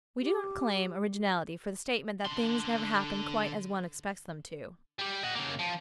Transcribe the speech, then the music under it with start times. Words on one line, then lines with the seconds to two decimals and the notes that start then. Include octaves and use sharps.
We do not claim originality for the statement that things never happen quite as one expects them to.
0.22 G4
2.25 D3 C6
4.99 G3 G4
5.23 D#5 F#5
5.35 C#3 A#3
5.59 F3